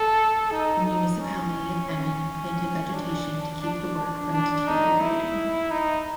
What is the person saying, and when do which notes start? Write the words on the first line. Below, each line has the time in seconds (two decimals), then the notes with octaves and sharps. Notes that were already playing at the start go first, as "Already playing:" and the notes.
The municipality of Emmen planted vegetation to keep the work from deteriorating.
Already playing: A4
0.51 D#4
0.86 D#4
1.20 C#4
1.90 C#4
2.94 D4
3.62 D4
3.97 D4
4.32 D4
4.67 D#4
5.01 E4
5.71 D#4